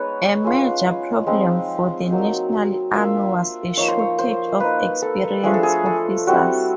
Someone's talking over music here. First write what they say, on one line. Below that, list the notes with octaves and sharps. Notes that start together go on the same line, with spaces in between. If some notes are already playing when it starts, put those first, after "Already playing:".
A major problem for the National Army was a shortage of experienced officers.
Already playing: G#3 B3 D#4 B4 C#5
G#3 C#4 F4
F3 G#3 C4 D#4
F#3 A#3 D#4
A#3 D4 F4 E5
F3 A#3 D#4 C#5
C5
C#5
C5
A#3 D#4 B4
A4
F3 A3 D4 F4 G#4
A4
G#4
A4
G3 C4 E4 F#4